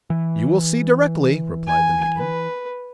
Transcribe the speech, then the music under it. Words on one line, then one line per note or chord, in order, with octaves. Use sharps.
"You will see, directly," replied the medium.
E3
G#5
B4